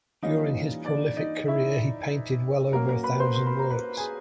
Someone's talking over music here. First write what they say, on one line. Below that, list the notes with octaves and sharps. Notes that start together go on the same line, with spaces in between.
During his prolific career he painted well over a thousand works.
E3 G3 A#3 C#4 D#4 F4 D#5
D4 D5
D#4 D#5
E4 E5
F#3 A#3 C#4 A#4 A#5
A#4 A#5
B4 B5
C5 C6
C6
B5
A#5
B4 B5
G#4 G#5